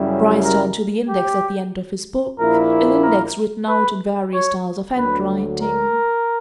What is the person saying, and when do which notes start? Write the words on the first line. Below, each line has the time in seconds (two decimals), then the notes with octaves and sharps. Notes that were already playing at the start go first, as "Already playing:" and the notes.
Bryce turned to the index at the end of his book--an index written out in various styles of handwriting.
Already playing: F#2 C#3 G3 C#4 E4
0.44 A#4
1.08 G4
2.39 A#1 A#2 A#3 E4 A#4
3.03 A#4
3.68 B4
4.34 C#5
4.97 D2 D3 F#3 B4
5.63 A#4